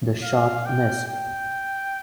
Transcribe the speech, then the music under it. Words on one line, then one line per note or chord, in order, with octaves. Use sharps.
The shot missed.
F5
G5
G5